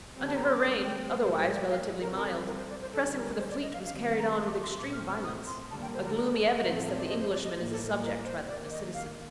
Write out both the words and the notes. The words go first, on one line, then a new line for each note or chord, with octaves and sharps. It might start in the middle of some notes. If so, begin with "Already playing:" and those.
Under her reign, otherwise relatively mild, pressing for the fleet was carried on with extreme violence--a gloomy evidence that the Englishman is a subject rather than a citizen.
D3 G3 C4
A5
A#5
C6
D6
D#6
G5
A#2 G3 A#3 C5
C5
C5
D5
F5
D3 G3 C4 A#4
A#4
A4
A#4
C5
D5
C5
D3 G3 A#3 A4
A#4
C5
D5
D#5
F5
D#3 G3 C4 F5
F5
A#5
C6
D6
C6
A#2 A3 C4 D6
F6
F6
D#6
C6
D3 G3 A#3 A5
G5
C5
A#4
A4
A#4
A4
A4
A2 F3 A3 C4 A#4
A4
A#4
D5
D#5
C5
D5
D#5
A2 G3 A#3 C5
A4
A#4
C5
D#3 A#3 D5
D#5
F5